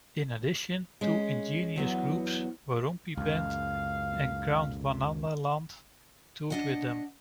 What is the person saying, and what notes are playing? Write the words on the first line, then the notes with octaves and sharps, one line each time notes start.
In addition, two indigenous groups, Warumpi Band and Gondwanaland, toured with them.
G#3 C#4
E2 F#3 B3
C#2 F#2 F5
D4 D#5 F#5